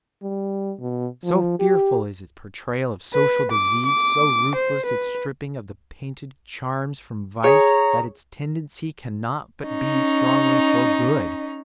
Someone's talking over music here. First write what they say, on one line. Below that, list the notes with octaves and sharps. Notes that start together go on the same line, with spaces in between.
So fearful is its portrayal of social disease, so ruthless its stripping of the painted charms from vice, that its tendency cannot but be strongly for good.
G3
B2
F3
G4
B4
D6
D6
C5
B4
G#4 C#5 A#5
C#4 D#4